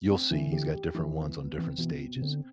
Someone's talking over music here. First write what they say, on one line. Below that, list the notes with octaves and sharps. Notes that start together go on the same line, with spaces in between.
You'll see, he's got different ones on different stages.
C4
D3 E3
G4
G4
E3
B3
B3
E3 C4
B2 E3
B2
C3
D3 C4